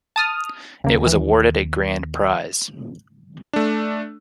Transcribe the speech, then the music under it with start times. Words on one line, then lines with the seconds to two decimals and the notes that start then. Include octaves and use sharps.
It was awarded a "Grand Prize".
0.16 A5 D#6 F6
0.84 D#2 C#3 A#3
1.07 E3
3.53 A3 D4